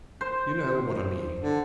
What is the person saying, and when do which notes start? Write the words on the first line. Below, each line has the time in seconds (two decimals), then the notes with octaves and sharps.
You know what I mean.
0.21 C5
1.40 D3